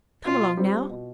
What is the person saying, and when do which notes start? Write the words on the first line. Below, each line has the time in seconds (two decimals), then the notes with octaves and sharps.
Come along, now.
0.25 B2 F4
0.57 G3 C4
0.89 B2